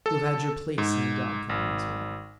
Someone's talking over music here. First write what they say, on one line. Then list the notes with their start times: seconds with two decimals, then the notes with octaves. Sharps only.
You have had your place in the dog-kennel as well.
0.06 A4
0.78 G#2
1.49 G#1